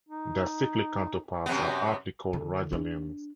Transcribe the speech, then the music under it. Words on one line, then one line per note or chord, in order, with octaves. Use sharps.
Their cyclic counterparts are aptly called radialenes.
D#4
F#2 C3 B3
D3
D4